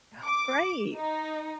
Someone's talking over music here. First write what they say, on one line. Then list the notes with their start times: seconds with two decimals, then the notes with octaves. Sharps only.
Oh, great.
0.24 D6
0.95 D#4